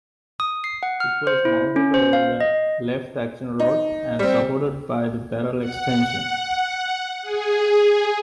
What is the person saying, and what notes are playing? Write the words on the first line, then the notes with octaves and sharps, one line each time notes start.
It was mounted over the left action rod and supported by the barrel extension.
D#6
C7
F#5
F6
C5
E4
C#4
C5
F5
D#5
D#4
G3 C4
F#5
G#4